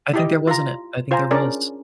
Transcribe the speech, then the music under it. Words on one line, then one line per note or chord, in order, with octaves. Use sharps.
I think there wasn't it I think there was.
E4 G4 D#5
F4 A#5
F4 C5 F5 G#5 A#5
C#4 D4 G#4 A#4 D5